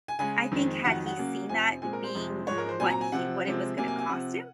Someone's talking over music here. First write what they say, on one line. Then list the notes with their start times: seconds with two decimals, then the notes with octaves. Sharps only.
I think had he seen that being what he what it was gonna cost him,
0.08 G#5
0.19 C#3 G#3 C#4 G#5
0.52 F2 D#3 G#3 C4
0.84 F2 D#3 F#3 F#5
1.06 F#5
1.17 C#3 F#3 A#3 C#4
1.49 F2 C3 F3 C4 G#5
1.82 A#2 G#3 C4 G#5
1.93 A#4
2.04 C5
2.14 F2 C3 F3 G#3
2.47 G#2 F3 G#3 C#5
2.58 A#4
2.69 C5
2.80 A#2 F#3 C4 G#5
2.90 A#5
3.01 G#5
3.12 C3 F3 C4 F#5
3.45 C3 F3 G#3 C4
3.77 C3 F#3 A#3 G#5
3.88 G#5
3.99 G#5
4.09 C3 F3 C4 F#5